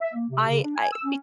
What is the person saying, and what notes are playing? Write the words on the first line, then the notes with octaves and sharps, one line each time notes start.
I I be
E5
A#3
C3
C#3
D4
G#5
E6
C#4